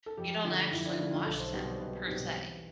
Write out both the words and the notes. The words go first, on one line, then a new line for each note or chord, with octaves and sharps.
you don't actually wash them per se,
A4
F2 G4
D3 A3 F4
F2 E4
D4
F4
D3 A3 E4
F4
B1 A4
C5
B2 G3 C4
C5
B1 B4
B2 G3 C4
E2